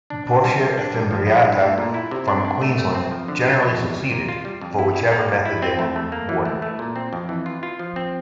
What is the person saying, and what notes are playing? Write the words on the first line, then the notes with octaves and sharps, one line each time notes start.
"Portia fimbriata" from Queensland generally succeeded, for whichever method they were rewarded.
D4
D4
G3
G3
D4
G3
F3
E4
G2
A3
A#2
E4
C3
D4
D4
A3
A3
C4
F3
D3
G3
F2
E2
G3
A#2
F4
G3
F2
E4
E4
A#3
G3
E4
C4
A3
A3
A#3
E3
A3
A3
A#2
C4
F2
E3
F4
F4
F3
C4